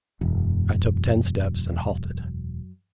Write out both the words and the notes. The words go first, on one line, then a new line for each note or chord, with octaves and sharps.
I took ten steps, and halted.
E1 F#2